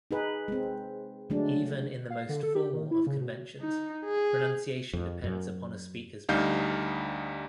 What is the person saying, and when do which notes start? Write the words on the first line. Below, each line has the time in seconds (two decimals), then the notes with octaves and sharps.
Even in the most formal of conventions, pronunciation depends upon a speaker's background.
0.11 D#4 G#4 B4
0.48 G#3 C4
1.30 D3 F#3 G#3 A3 D4
2.10 F5
2.29 D3
2.43 A4
2.55 G4
2.73 D#3
2.91 E4
3.07 C#3
3.21 B2
3.61 D#4
4.05 G#4
4.93 F2
5.24 F#2
6.29 D2 G3 D#4 F5 G6